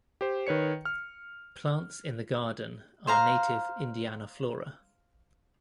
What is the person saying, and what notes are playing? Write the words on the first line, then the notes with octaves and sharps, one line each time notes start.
Plants in the garden are native Indiana flora.
G4 C5
D#3 B4 C#5 C#7
F6
C5 F5 A#5